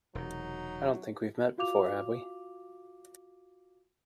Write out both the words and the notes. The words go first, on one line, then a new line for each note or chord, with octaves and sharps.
I don't think we've met before, have we?
E1 C3 F#3 D#4
F4 F#4 F5 D6 F7